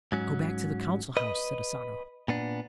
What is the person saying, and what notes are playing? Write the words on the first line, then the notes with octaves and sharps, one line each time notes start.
"Go back to the Council House," said Asano.
G#2 F#3 C#4
B4 D#5
A#2 B3 D4